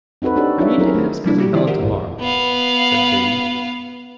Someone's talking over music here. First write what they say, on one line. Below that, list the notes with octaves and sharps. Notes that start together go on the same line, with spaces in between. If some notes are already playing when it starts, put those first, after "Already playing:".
"I mean to ask Cousin Helen to-morrow," said Katy.
C4 D#4 F#4 A4 B4
D4 D#4 F#4 G4 A4 C#5
D4 D#4 F4 C#5 E5
F#3 C4 D#4 E4 G#4 A#4
A3
F3 G3 A#3 D4 E4 F#4
G3 F#4 G4
D#3 F3 E4 F4 G#4 D5
G4 G#4 A#4 C5 E5 F#5
C2 G2 A#2
B3 F5